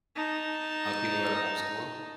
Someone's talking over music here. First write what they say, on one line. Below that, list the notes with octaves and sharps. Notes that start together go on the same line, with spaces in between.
Of people that are homeschooling?
D#4 A5